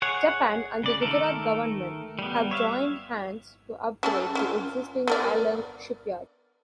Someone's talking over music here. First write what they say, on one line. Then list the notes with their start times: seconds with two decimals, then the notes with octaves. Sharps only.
Japan and the Gujarat government have joined hands to upgrade the existing Alang shipyard.
0.02 G#4 C#5 F#5
0.83 C#3 D5
1.01 D#3 A3 A4 A#4
2.19 G3 B3
2.51 C#5 E5 F5
4.03 C#4 G#4 A4
4.35 C#4 E4 F4
5.08 B3 A#4 D5